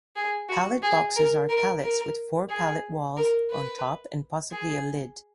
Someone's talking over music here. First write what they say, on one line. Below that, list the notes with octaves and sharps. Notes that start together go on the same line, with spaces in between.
Pallet boxes are pallets with four pallet walls on top and possibly a lid.
G#4
F#4
G#4
A#4
A#4
A#4
G#4
A#4
B4
G#4